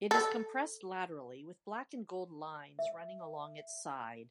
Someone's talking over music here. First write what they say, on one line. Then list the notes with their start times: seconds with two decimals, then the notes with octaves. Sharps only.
It is compressed laterally, with black and gold lines running along its side.
0.11 A4
2.79 E5